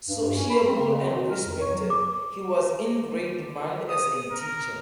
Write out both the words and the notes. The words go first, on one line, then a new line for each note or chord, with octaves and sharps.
Sociable and respected, he was in great demand as a teacher.
G2
G2
C#4
B5
C4
C#3
C4
B2
A#4
F2
C#5
F#3
D6
D#6
A#4